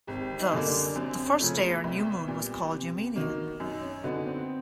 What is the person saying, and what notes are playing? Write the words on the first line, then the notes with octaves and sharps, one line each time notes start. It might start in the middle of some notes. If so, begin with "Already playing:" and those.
Thus, the first day or new moon was called "Noumenia".
G#1 G4
D#4
F#2 D3 G3 A#3
D4
F#2 C4
C#4
C#3 F3 A3
B3
C2 B3
A#2 G3
C3
D#3 F#3 A#3
F#2 D#4
C#4
D3 F#3 B3 D4 D#4
C4